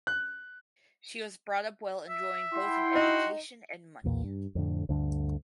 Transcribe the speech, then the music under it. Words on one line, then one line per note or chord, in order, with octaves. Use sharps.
She was brought up well enjoying both an education and money.
F#6
E5
E4 F#5 G5 C6
D#4 F#4
B1 E2 A#2
G2
F2 A2 D3
D2 G2 D3